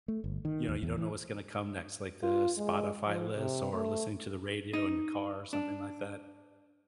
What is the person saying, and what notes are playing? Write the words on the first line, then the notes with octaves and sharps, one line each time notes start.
you know, you don't know what's gonna come next, like the Spotify list or listening to the radio in your car or something like that,
A3
G1
D#3
D#2
E2
E3
F4
G#3
F3
C3
A3
D#4
D4